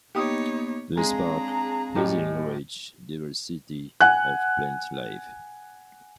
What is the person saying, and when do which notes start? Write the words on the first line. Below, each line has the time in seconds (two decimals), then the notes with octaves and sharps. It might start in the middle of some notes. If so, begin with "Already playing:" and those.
The park has a rich diversity of plant life.
0.15 A#3 B3 D#4 G4 C#5 D#6
0.97 G#3 C4 D4 G#4 F5 A#5
1.96 A2 G3 D#5 G#5
4.01 F#5 G#5 F#6